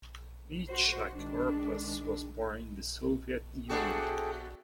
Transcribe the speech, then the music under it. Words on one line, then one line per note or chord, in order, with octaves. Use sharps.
Yitshak Orpaz was born in the Soviet Union.
F#4 C5
D#3 G#3 D4
B2 D4 F#4 G#4 A4 G5